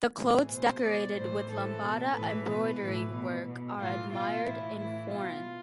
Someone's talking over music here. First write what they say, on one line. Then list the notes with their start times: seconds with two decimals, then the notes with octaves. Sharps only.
The clothes decorated with Lambada embroidery work are admired in foreign.
0.19 A2 E3 G#4
0.51 B2 C5
0.84 B2 D5
1.17 A2 E3 C5
1.50 A2 E3 A4
1.83 B2
2.15 A2 E3 B4
2.48 B2 B4
2.81 A2 E3
3.14 B2
3.47 B2
3.79 A2 E3 F4
4.12 B2 F4
4.45 A2 E3 E4
4.78 A2 E3 E4
5.11 B2 F4